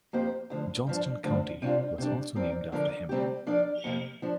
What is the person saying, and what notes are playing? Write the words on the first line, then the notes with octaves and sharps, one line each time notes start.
Johnston County was also named after him.
F2 F3 A#3 G4 C5
D2 D3 F3
G2 F3 D4
D2 D3 F3
C3 G3 D4 F4
C3 G3 D4
F3 C4 A#4 D5
D3 F3 D4 A#4 D5
D2 C3 G3 C4 G4
F3 D4 A#4 D5
F2 C3 A#3
F3 D4